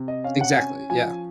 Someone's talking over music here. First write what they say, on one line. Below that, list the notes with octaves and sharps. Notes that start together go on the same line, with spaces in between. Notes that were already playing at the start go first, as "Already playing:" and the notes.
Exactly, yeah.
Already playing: C3
D#5
C#4 F5
F#5
C#4 G#5
F3 G#5